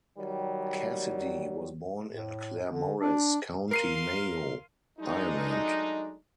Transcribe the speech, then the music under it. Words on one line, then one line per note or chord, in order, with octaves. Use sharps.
Cassidy was born in Claremorris, County Mayo, Ireland.
D#3 F#3 G3
A2
D3
D4
A#4 F5 C6 C7 D#7
F#3 G#3 A3 D4 D#4